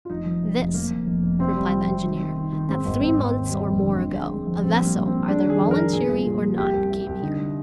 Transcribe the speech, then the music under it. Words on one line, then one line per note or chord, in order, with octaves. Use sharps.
"This," replied the engineer, "that three months or more ago, a vessel, either voluntarily or not, came here."
F4
F1 D#4
F2
C3
F1
F2 A#3
F2
F1
F1
C3 C4
G3
F2
C3
D#3
D#3
D#3
D#3
G#2 C4
G#1
G#1 C4
G#1
D#2
G3
F1
D3
D3
G#3
G#3
F2
A#1 C4
G3
A#3
A#1
C4
G3
G#3 D4
D#3
G#4
F2
A#4
D#3
A#2 G#4
C2
A#2
F3
C2 G4
C2
C2
C2
D3 D#4